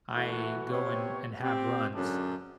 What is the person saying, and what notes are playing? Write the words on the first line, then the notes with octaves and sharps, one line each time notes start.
I go and and have runs,
E3 A3 F#4
C3 B3 C4 C#5
C4 G4
F#2 D3 F#3 D4 G#4